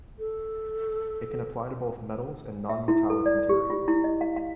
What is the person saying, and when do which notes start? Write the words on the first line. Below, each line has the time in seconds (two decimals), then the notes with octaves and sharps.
It can apply to both metals and non-metallic materials.
0.19 A4
2.69 E5
2.88 E4
3.10 A4
3.26 D5
3.49 G4
3.70 F4
3.88 E4
4.04 D#5
4.21 F5
4.36 F5